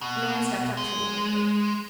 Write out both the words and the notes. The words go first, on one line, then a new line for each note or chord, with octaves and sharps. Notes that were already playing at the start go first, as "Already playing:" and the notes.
A man stepped up to him quickly.
B2
G#3